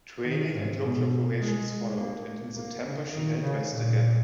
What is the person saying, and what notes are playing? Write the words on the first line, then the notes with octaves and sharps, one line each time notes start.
Training and local operations followed and in September she headed west again.
D#3
G#2
B2
G#3
A#3
A#3
C#3
D#3
C#3
A#2